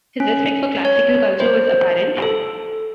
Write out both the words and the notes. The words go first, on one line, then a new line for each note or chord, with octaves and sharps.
His respect for classical culture was apparent.
C#4
C#5
C5
A4